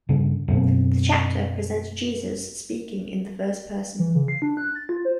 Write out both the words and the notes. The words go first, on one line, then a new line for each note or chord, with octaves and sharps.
The chapter presents Jesus speaking in the first person.
G2 C#3
F#2 B2 A#3 C4
E3
C#3
C7
D4
F#6
A6
F4
C5